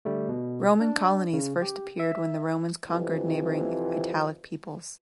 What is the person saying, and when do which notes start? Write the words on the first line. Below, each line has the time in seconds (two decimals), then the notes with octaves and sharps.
Roman colonies first appeared when the Romans conquered neighbouring Italic peoples.
0.05 D3 G3 A3
0.29 B2
0.81 D4
1.33 C#3
1.62 G4
2.00 E5
2.89 F2 C3 E3